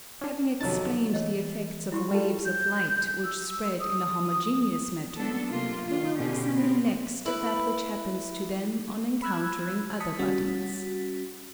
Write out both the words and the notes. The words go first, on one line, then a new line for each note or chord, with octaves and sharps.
Having explained the effects of waves of light which spread in a homogeneous matter, we will examine next that which happens to them on encountering other bodies.
C#4 D4
F2 C3 D#3 F#3 D#4 A5
E3 C#5 D#5
G3 E4 F#4 G4
G3 F4 A4
G6
E6
D#6
F#3 B3 D4 A4
C3 A#3 F4
D#3 F4
B2 D3 C#4 G4
B3 C4
E4 B4
B5 E6 F#6 G#6
A5 D#6 B6 C#7
G3 C#4 F#4 A6 B6